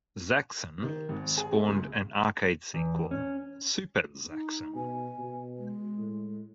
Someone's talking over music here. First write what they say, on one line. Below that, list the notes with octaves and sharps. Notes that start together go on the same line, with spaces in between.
"Zaxxon" spawned an arcade sequel: "Super Zaxxon".
D#3
G#1
G#4
A3
C#2
E2
C#4
D#4
B2 G#5
B2
G#3
A2